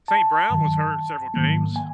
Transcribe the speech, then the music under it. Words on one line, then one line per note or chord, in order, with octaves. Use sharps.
St. Brown was hurt in several games.
A5
G2 D#3 F#3
G#2 D#3 F#3 A#3
G#5